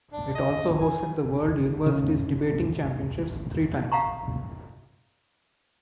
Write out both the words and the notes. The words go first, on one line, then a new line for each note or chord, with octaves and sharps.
It also hosted the World Universities Debating Championships three times.
D4
D#5
G#5
C#3
F5 F#5 A#5 C#6